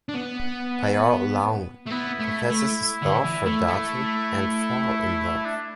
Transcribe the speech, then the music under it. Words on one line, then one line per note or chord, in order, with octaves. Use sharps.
Pyar Laung confesses his love for Datu and fall in love.
D4
B3
A3
B3 E4
A3
A3
D3
E3
A3
A3
D4